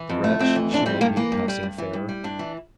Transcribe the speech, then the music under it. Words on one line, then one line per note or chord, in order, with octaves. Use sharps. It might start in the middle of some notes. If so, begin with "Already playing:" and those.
The wretch, she may be passing fair.
Already playing: E3
F2
A3
F2 C4
E3
F2 D4
G3 C4
G2 A#3
E3 A#3
G2
G3
G2
E3
G2
G3
G2 D4
E3